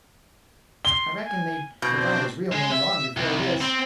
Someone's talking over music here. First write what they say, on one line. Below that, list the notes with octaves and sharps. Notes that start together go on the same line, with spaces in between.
I reckon they've forgot his real name long before this.
C6 G7
G#5
B2 C4 D4 C5 G6
G#3
E5
C2
C4